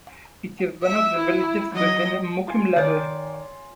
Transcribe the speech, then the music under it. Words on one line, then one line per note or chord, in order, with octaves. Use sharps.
It is one of the villages within Mukim Labu.
E5
E4
F#3 D#5
F4 G#5
D#3 C#5 D5